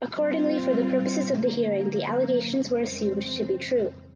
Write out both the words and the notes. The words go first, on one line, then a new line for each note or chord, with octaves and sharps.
Accordingly for the purposes of the hearing the allegations were assumed to be true.
A#2 G3 C4 F4
D3 F#3 A#3
F2 C#3 E3 G#3 C4